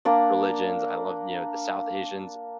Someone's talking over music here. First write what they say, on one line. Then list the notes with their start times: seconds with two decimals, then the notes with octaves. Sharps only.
religions, I love, you know, the South Asians,
0.05 A#3 D4 D5